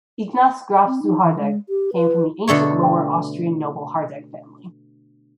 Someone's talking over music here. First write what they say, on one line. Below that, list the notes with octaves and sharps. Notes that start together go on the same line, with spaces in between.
Ignaz Graf zu Hardegg came from the ancient Lower Austrian noble Hardegg family.
C4
D#4
E3
G#3
G4
B4
B2 D3 A3 C#5